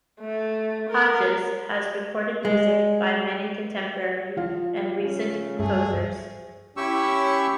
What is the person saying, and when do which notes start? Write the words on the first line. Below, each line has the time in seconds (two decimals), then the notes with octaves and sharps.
Hodges has recorded music by many contemporary and recent composers.
0.20 A3
0.90 A#4
2.45 G#3
4.37 F3 F5
5.05 C#3
5.59 G2 A3 G#4
6.77 C#4 E4 G4 C#6 E6